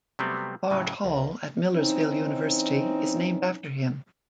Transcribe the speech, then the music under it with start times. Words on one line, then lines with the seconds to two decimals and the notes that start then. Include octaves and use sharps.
Bard Hall at Millersville University is named after him.
0.19 C3 F#3 G3 A3 B3 C4
0.71 A2 C#3 F#3
1.05 C#2
1.74 E3 C4 C#4 D#4